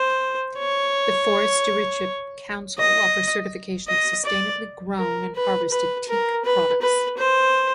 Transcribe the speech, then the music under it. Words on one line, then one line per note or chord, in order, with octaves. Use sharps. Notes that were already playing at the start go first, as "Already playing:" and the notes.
The Forest Stewardship Council offers certification of sustainably grown and harvested teak products.
Already playing: C5
C#5
D#5
D#5
D5
A#4
B4
B4
A#4
B4
B4
C5